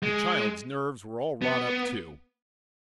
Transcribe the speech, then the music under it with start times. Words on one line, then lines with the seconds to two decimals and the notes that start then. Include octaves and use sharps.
The child's nerves were all wrought up, too.
0.03 G#3
1.42 B3